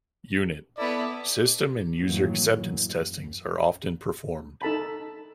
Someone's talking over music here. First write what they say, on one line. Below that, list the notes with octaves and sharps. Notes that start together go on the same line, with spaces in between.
Unit, system and user acceptance testings are often performed.
B3 E4 A4 D5
F#2 A2 D#3 E3 F#3 A#3
F#2
D#4 A4 A5 B5